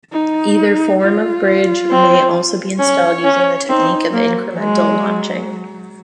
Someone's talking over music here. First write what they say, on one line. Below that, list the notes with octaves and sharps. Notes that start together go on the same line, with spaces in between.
Either form of bridge may also be installed using the technique of incremental launching.
D#4
F4
C4
C#4 C#5
C#4
C4 D#4
F#3 A#3
G#3